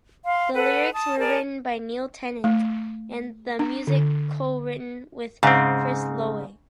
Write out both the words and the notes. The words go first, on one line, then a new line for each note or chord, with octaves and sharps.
The lyrics were written by Neil Tennant and the music co-written with Chris Lowe.
F5 C6
A4 B4 F#5
A5 D#6
G#4 A#4 D5 A5
A3
D4
D3
G#2 C#3 C4